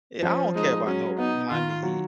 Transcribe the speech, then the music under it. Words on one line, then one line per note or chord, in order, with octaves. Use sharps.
Yeah, I don't care about no Miami Heat.
F3 C#4
G#3 D#4
F#3 C#4
B3 D#4
D#3 F4
F#3